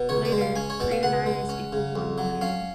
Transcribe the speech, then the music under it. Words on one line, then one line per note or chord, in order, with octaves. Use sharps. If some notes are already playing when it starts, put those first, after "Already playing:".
Later, three deniers equaled one liard.
Already playing: B2
C#2 C#5
D5
G#3
F5
C#4 G#5
C#5
B2 D5
F5
C#2 F#5
G#3
C#4
C#3
F2
F#3
C#4 F5